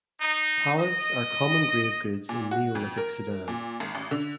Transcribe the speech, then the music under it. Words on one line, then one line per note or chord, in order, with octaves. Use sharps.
Palettes are common grave goods in Neolithic Sudan.
D#4
D#5
A#2
F#4
F2
A#4
A#2
G#1
A1
D3